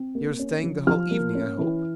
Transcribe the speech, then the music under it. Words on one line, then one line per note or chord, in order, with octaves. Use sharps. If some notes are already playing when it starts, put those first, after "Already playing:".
"You are staying the whole evening, I hope?"
Already playing: C4
A#3
C#4
F3
F3 F6
A#3
C#4
E3